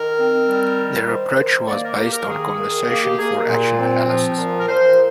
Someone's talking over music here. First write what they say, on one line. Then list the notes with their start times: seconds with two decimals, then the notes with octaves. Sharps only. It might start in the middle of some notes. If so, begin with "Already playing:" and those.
Their approach was based on conversation-for-action analysis.
Already playing: D#3 A#4
0.18 C4
0.48 G3
0.78 D#3
1.08 D#3 C5
1.38 D#3
1.68 A#3 D5
1.83 A#4
1.98 A#3 G4
2.13 A#4
2.28 D#3 G#4
2.59 D#3
2.88 A#3 G#4
3.03 G4
3.18 A#3 G#4
3.48 A#2
3.79 C4
4.08 F3
4.39 A#2
4.59 A#4
4.68 A#2 C5